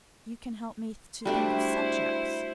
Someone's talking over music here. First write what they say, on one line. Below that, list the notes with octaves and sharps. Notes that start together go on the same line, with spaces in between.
You can help me to think of subjects.'
G3 A3 D4 E4 F#4 C5